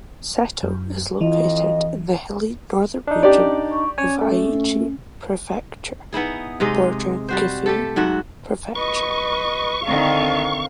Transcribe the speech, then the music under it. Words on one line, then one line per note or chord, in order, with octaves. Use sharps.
Seto is located in the hilly northern region of Aichi Prefecture, bordering Gifu Prefecture.
F#2
F2 E3 F4 D#5
D4 D#4
C#4 G4 D5
C#6
C#4 C#5 G#5
A3
B3 D#4 E4 G#4
C3 G#3 D#4 D#5
G3 F#4 C5
A3 G4 A4
G#2 F#3 F#4 E5
B4 D#5 C#6
D3 D#3 C4 F5